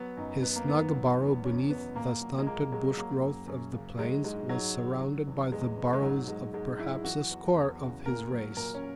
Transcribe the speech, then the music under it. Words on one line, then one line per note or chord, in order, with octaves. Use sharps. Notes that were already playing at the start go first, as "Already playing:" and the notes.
His snug burrow beneath the stunted bush-growth of the plains was surrounded by the burrows of perhaps a score of his race.
Already playing: F#3 B3
F#2 D#4
F#2 B3
A#3
D#3 B3
F#3
E2
E2 C#4
B2 B3
A#2 A#3
F#3
G#3
A#2 A#3
F#3 G#3
F#3 A#3
F#2
F#2
C#3
F#3 G#3
G#2 G#3
G#2 F#3
D#3
F#3
E2
E2 G#3
B2
G#3
G#2 F#3
F#3 G#3
G#2 G#3
F#3 E4
E3 F#4
E2
E2
C#3
A#2 A#4
F#3
A#2 A#4
C#4